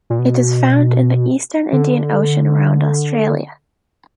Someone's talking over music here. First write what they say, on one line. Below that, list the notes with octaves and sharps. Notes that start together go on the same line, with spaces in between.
It is found in the eastern Indian Ocean around Australia.
A#2
B2
D3